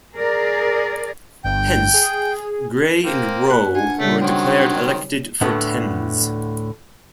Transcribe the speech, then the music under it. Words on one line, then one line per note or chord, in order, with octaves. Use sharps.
Hence Grey and Rowe were declared elected for Thames.
G#4 A#4 D5
G1 G2 G5
G#4
A#3 C4
F#4 B4 F#6
D4 F4 F#5 G#5
C#3 G3 A3
D#3 F#3 C4 G5
D2 A2 D3 B3